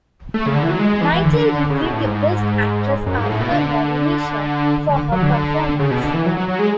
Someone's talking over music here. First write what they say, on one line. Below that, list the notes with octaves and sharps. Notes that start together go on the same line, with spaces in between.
Knightley received a Best Actress Oscar nomination for her performance.
A3
C#3
D3
E3
F#3
G#3
E3
D3
C#3
B2
A2
G#2
F#2
G#2
A2
B2
D3
D3
F#3
D3
C#3
B2
D3
E3
F#3
F#3
F#3
G#3